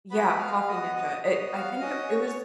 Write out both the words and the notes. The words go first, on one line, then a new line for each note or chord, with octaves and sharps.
Y yeah, Coffee Ninja, it I think it it was
B3 F#4 B4 B5
F5 F6
B3 F#4 D#5 D#6
D#5 D#6
B3 F#4 D#5 D#6
F5 F6
C#4 F#4 D#5 D#6
C#5 C#6